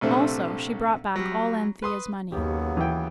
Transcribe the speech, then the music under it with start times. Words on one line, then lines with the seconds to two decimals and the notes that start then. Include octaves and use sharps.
Also she brought back all Anthea's money.
0.01 A#1 C3 A3 C4 D4
1.16 F#3 G3
1.82 B4 C6 D#6
2.32 D#2 C#3 F#3 B3 G4
2.77 E3 G5